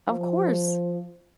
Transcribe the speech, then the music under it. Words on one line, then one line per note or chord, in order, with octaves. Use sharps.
Of course.
F3